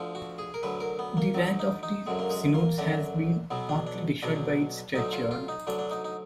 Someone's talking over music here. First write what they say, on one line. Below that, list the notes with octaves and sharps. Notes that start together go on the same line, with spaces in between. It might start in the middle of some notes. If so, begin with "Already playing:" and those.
The 'Rath of the Synods' has been partly destroyed by its churchyard.
Already playing: D2 D3 F3
F#4
G#4
A#4
D2 D3 F#3 B4
A#4
B3
A#3
D2 D3 F#3
D#4
D#4
F#2 D3 F#3 G#3
A#3
G#3
A#3
F#2 D3 F#3 D4
B1 B2 F#3 B3
D4
D4
B1 B2 F#3 D4
D2 D3 F#3 D#4
F4
F4
D#4
D2 D3 F#3 D4
D4
D#4
D#4